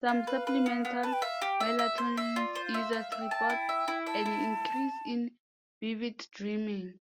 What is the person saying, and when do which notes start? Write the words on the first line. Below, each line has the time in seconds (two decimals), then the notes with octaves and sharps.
Some supplemental melatonin users report an increase in vivid dreaming.
0.09 F4 F5
0.27 B4
0.47 B4
0.66 B3
0.85 B3
1.03 B4 A5
1.13 G5
1.22 E5 F5
1.42 G4
1.60 E5
1.79 E5
1.98 C5
2.17 E5
2.36 F4 D5
2.55 C5
2.65 F5
2.74 E5
2.93 E5 F5
3.12 E5
3.21 G5
3.31 A5
3.50 E4
3.69 E5
3.88 E4
4.06 E5 A5
4.26 E4